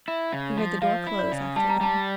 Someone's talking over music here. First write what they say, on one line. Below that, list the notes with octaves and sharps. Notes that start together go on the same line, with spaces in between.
He heard the door close after them.
E4 E5
C#3
F3
F3 F5
E4
D5
C#3
G3 A5
A#5
G3 A5